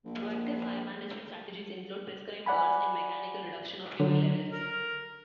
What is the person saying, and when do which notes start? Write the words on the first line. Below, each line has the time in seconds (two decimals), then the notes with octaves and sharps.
Proactive fire management strategies include prescribed burns and mechanical reduction of fuel levels.
0.05 A#1
2.46 D5 F#5 G#5 B5
4.00 D3 F#3 D4
4.52 A#4